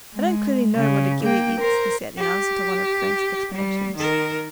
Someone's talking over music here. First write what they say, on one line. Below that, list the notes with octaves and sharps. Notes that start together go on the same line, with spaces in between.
"I don't clearly know what a gillie is," he said, in answer to one of Frank's explanations.
G#3
C#3
A#3 G5
A#4 C5
G4
G3
D#3 A#4